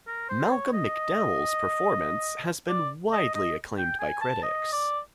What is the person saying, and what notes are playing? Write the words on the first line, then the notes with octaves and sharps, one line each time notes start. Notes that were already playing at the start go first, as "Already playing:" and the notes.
Malcolm McDowell's performance has been widely acclaimed by critics.
A#4
C5
C#5
D#5
D5
D#5
D#5
G5
G#5
A5
D#5
D5